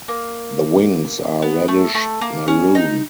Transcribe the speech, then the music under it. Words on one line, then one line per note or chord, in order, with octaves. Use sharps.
The wings are reddish maroon.
A#3
B3
A3
A3
A#3
C#4
D#4